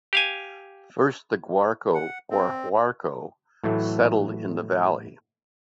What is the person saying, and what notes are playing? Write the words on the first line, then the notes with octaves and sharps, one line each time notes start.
First, the Guarco, or Huarco, settled in the valley.
G4 F5 G#5
F#5
C4
A2 E3 F#3 A3